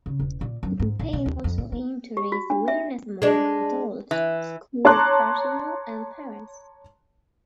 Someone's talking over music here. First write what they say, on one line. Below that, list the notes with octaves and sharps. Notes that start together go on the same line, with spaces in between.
The campaign also aimed to raise awareness among adults, school personnel, and parents.
C#3
E1
A#2
F#2
G#2
A#1
B2
D#2
F2
A2
D#4
G4
F#4
D4
E5
G#3 D4
E3
C#5 A5 A#5 C6 D6 F#6